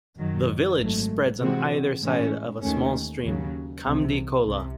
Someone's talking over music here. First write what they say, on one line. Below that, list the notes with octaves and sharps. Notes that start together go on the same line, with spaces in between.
The village spreads on either side of a small stream "kamdi khola".
F#2 D#3 F#3
G#1 G#2 F#3 A3
C3 E3 G#3 C4 F#4
A2 E3 G#3 C#4
D#2 D#3 A3 C#4
D#2 C#3 F#3
C2 C3 E3
C2 C3